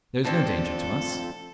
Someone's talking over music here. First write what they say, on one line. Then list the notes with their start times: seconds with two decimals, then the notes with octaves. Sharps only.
There is no danger to us.
0.25 F2 A3 D4 G4 A4 C5 A5